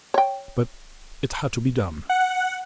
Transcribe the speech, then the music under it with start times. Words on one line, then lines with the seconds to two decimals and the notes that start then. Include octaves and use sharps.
But it had to be done.
0.14 C#5 G5
2.09 F#5